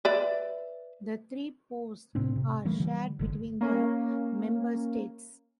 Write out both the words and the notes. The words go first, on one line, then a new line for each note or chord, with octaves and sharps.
The three posts are shared between the Member States.
B4 D5 E5
A2 C3 C4 D4
C3
E3 G3 A3 A#3
D3 E3 G3
G1 D3 G#3
A#3 C#4